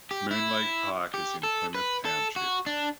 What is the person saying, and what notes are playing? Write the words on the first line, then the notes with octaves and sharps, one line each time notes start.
Moon Lake Park is in Plymouth Township.
G4
E4
G4
A4
B4
A4
F#4
D4